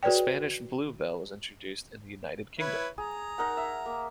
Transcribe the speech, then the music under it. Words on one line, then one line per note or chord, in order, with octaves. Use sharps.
The Spanish bluebell was introduced in the United Kingdom.
F#4 G#4 B4 C#5 D5 G5
E4 B4 C#5
G#4 A#5
D#4 A#4 F#5
E5
A#3